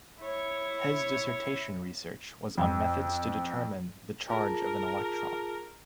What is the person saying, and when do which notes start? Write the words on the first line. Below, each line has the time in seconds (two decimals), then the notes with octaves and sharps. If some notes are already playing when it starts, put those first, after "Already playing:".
His dissertation research was on methods to determine the charge of an electron.
0.20 E4 C#5
2.58 F2
4.29 F4 G#4 A#4 A5